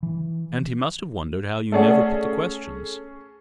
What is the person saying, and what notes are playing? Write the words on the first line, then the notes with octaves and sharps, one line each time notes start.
"And he must have wondered how you never put the questions."
E3
A3 C#4 G#4 A4 D5 F#5